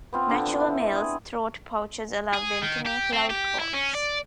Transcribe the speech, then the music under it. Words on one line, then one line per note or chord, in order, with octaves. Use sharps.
Mature males' throat pouches allow them to make loud calls.
B3 C4 F4
D3 D4
E4
G#4
G#4
D#3
G4
C4
G4
E4
C#4
D5